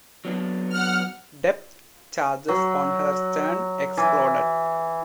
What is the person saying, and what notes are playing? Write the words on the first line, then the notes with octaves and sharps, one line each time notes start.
Depth charges on her stern exploded.
F#3 B3 D4
F#5 F6
F#3
E3